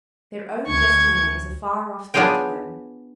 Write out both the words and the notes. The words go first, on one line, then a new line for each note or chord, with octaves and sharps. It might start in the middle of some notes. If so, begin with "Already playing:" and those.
Their own destiny is a far-off thing to them.
D2 C#6 G#6
B3 D4 F4 G#4 C#5 G5